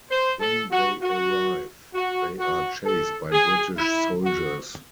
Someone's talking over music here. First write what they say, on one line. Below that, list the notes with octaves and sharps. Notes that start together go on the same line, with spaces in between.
When they arrive, they are chased by British soldiers.
C5
A4
F#4
F#4
F#4
F#4
A4
G#4
E4
F#4